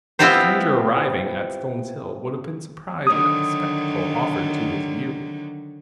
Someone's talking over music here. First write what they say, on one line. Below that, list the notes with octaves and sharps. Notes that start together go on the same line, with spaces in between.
A stranger arriving at Stones Hill would have been surprised at the spectacle offered to his view.
B3 C4 E4 F4 G4 C5
D3 D#3 F#3 D#6